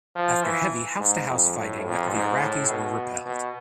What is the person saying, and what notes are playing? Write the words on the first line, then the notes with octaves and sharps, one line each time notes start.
After heavy house-to-house fighting, the Iraqis were repelled.
F3
E3
G#2
F2
A2
F2
G#2
A2
B2
B2